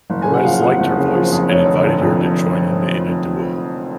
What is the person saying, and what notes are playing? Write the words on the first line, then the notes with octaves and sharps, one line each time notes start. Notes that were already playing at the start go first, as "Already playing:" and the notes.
Perez liked her voice and invited her to join him in a duo.
F#1
G#5
C#3
F#5
F3 F5
F2 F#5
F#1
C#3
F3
F2
F1 C#5
D3
F1
F2